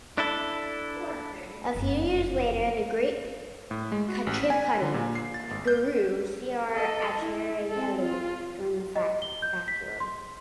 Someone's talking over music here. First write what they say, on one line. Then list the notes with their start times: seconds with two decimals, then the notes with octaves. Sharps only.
A few years later the great Kuchipudi guru, c R Acharyelu joined the faculty.
0.18 D4 E4 A4
1.75 F#1 F2
3.71 A2
3.92 G#3
4.08 F#4
4.27 A1
4.38 B6
4.50 G#5
4.82 D3
4.94 A#2
5.15 C7
5.34 A6
5.51 G#1
5.68 G6
6.75 A4 D#5
7.20 E4
7.70 C4 A4
8.02 F4
8.96 D#5
9.22 G7
9.42 G6
9.68 B6
10.00 C6